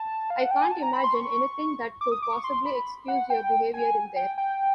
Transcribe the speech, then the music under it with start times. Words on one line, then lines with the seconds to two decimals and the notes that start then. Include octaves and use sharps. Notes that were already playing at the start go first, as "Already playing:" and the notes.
I can’t imagine anything that could possibly excuse your behavior in there.
Already playing: A5
0.30 F5
0.40 F#5
0.51 G5
0.61 G#5
0.71 A5
0.82 A#5
0.93 B5
1.04 C6
1.14 C#6
2.01 D6
2.12 D#6
2.22 D6
2.33 C#6
2.44 C6
2.66 B5
3.08 F#5
3.30 G5
3.74 G#5
4.16 G5
4.38 G5